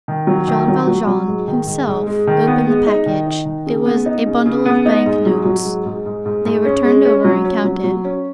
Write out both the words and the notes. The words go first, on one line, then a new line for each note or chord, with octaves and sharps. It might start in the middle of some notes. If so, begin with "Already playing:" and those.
Jean Valjean himself opened the package; it was a bundle of bank-notes. They were turned over and counted.
D#3
F#3
D#3
F#3
F#3
F#3
G#2
D#3
G#2
G#2
G#3
D#3
B3
G#3
D#4
D#3
D#4
D#3
C#3
B3
D#4
C#3
C#3
B3
D#4
G#2
F#3
F#3
G#2
G#2
G#2
G#2
G#2
C#4
G#3
C#4
F#3
C#4
F#3
F#3
C#4